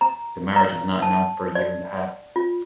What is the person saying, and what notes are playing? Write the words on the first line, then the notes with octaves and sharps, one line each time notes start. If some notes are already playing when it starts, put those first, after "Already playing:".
The marriage was not announced for a year and a half.
A#5
A#5
A5
D5
F4